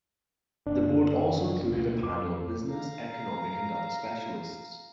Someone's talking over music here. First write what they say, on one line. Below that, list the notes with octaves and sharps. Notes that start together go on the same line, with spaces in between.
The Board also included a panel of business, economic and other specialists.
F#1 D4
D2 B2 A#3
F2 D6
F5 A#5